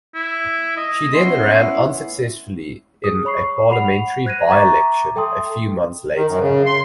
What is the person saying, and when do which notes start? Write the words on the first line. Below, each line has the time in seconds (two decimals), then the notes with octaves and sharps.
She then ran unsuccessfully in a parliamentary by-election a few months later.
0.15 E4
0.77 D#5
1.14 B3 C#4 E4 C6
3.04 G#4 D#6
3.25 C#5 B5 C#6 C7
3.70 F#5 B5 C7 F7
4.25 C5 F#6 G#6 A#6 D#7
4.50 E5 A#5 C#6 D6 A6 B6
5.16 A4 E5 G5 A5 C6 D#6
6.16 D#3
6.28 F#2
6.41 C#3
6.66 C6